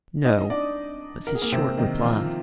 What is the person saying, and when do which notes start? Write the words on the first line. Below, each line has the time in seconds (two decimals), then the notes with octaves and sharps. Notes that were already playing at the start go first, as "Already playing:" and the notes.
"No," was his short reply.
0.25 D#4 D#5
0.50 D4 D5
1.27 A#4
1.35 G#4
1.42 A#3 A#4
1.52 C3 C4
1.78 D#3 D#4
2.03 F3 F4